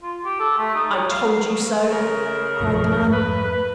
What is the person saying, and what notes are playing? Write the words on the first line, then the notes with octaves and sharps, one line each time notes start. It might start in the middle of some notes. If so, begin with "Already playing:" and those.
"I told you so," cried the man.
F4
G4
A4
A3
D#4
C#5
F5
C#3 A#4
B1 G2 F3
F2 G#2
B4